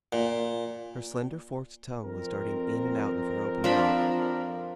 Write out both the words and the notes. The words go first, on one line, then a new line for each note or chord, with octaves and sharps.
Her slender forked tongue was darting in and out of her open mouth.
A#2
F2 C4 A#4
F3 D4 B5